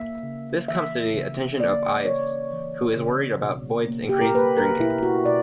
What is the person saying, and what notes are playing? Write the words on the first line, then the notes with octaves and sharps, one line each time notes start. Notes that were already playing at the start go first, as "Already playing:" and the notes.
This comes to the attention of Ives, who is worried about Boyd's increased drinking.
Already playing: A#3 E5
C#3
E3 E5
C#3
A#3 D5
C#3 C#5
E3
C#3
B2
A#3
G4
A#4
A#3 B4
A#4
B2 E4
F#4
B2 D5